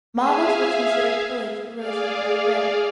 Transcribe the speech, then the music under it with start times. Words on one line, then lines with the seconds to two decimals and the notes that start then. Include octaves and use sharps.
Models which consider tillage erosion are rare.
0.17 G#4 E5 F5 G#5
1.76 G#4 D5 F5